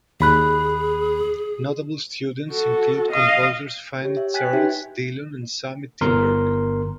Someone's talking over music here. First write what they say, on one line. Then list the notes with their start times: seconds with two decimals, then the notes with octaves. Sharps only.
Notable students include composers Fannie Charles Dillon and Sammy Timberg.
0.20 D#2 G#4 B5 F#6
2.51 F#4 A4
3.11 D#5 F5
4.02 G4 C#5
4.17 E5
4.34 G5 G#5 F#6 G#6 A6 B6
4.53 D#4 F#4 G4 B4 C#5 E5
6.01 G1 A#4 C6